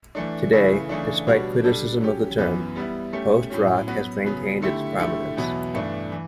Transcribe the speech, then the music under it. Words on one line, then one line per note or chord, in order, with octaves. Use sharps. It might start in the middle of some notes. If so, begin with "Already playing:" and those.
Today, despite criticism of the term, post-rock has maintained its prominence.
E3 A3 D4
C#3 E3 A3 E4 B4
C#3 E3 A3 D4
B2 G3 D4 F#4 C#5
G3 D4 A4
F#3 C#4 G4
F#2 E3 B3
G3 B3 E4
A3 C#4 G4
A2 F#3 C#4
F#3 B3 F#4 B4
C#3 F#3 B3
D3 A3 E4 G4
D3 A3 E4 G4
E2 B2 F#3 B3 E4
G2 E3 A3 D4
E3